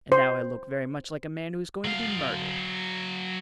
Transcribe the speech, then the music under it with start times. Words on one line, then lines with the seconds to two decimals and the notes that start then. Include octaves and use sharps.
"And now I look very much like a man who is going to be murdered."
0.12 C5
1.85 F#3 F5